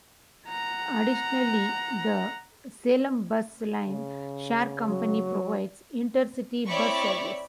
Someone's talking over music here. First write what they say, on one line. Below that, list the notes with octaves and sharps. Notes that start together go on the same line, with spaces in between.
Additionally, the Selam Bus Line Share Company provides inter-city bus service.
F#5 A#5
C#3
F#3
C4 E4 C#5 D5 B5 C#6